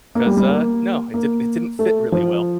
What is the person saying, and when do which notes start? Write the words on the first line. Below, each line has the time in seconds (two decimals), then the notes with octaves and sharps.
'cause, uh, no, it didn't it didn't fit really well,"
0.15 A#3
0.26 G3
0.37 G3
0.48 A#3
1.14 A#3
1.79 A3
2.12 F3